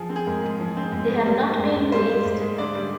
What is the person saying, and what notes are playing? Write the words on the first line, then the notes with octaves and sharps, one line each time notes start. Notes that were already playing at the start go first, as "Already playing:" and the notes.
They have not been released.
Already playing: F3 G#4
C4
G#4
G#2 A#4
G#2
F3
C4
G#2
G#2
G3
A#3
G#2
G#2
G3 C5
A#3
G#2
G#2
D3 D5
G3